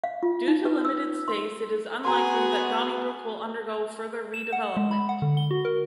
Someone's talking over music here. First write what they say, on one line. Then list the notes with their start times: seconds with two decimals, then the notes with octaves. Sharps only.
Due to limited space, it is unlikely that Donnybrook will undergo further redevelopment.
0.04 F5
0.23 F4
0.48 D#4
0.65 B4
0.85 E6
1.28 C6
2.05 B3 F#4 G#4 A#5 C6
4.34 E7
4.52 F#5
4.77 G#3
4.91 B5
5.09 F#5
5.22 D3
5.37 G7
5.51 F#4
5.65 A#4